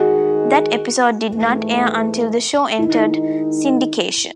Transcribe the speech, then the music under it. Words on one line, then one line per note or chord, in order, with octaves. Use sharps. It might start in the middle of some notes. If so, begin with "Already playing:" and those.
That episode did not air until the show entered syndication.
Already playing: D#3 G#3 D#4 F#4 G#4
G#2 E3 A3
D#3 G#3 D#4 E4